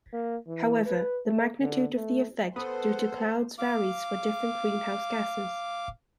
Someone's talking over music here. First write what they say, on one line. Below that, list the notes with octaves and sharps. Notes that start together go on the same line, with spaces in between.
However, the magnitude of the effect due to clouds varies for different greenhouse gases.
A#3
E3
B4
A3
D3
A3
B3 A4 B4 C5 F#5 D#6
F5 D6